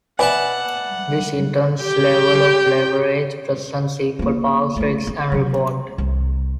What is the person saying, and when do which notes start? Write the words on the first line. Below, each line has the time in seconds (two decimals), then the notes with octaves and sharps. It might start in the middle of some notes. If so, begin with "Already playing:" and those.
This intense level of leverage presents equal parts risk and reward.
0.19 B4 D5 E5 F#5 G#5 A5
1.81 G4 G5
4.19 F3 A#3
4.76 F3 A3
5.07 C4
5.32 C3 F#3
5.98 C2